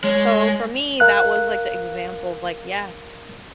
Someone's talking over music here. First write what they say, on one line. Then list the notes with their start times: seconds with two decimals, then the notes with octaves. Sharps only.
so for me, that was like the example of, like, "Yes,"
0.04 G#3 C#5
1.00 A#4 F5 F#6